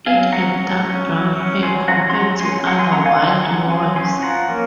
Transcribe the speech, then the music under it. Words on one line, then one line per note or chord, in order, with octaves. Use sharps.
It had dark brown hair compared to other wild wolves.
F#3 F5 G#5
C#4 F#5 A#5
F#3
C#4
F#3
C#4
F#3 G#5 C6
C#4 F#5 A#5
C6
F#3 F#5 A#5
C#4 G#5 C6
F#3 F#5 A#5
G#5 C6
C#4 F#5 A#5
F5 G#5
F#3 G#5 C6
C#4 F#5 A#5
F#3 G#5 C6
C#4 G#5 C6
F3 F#5 A#5
A#3 C#4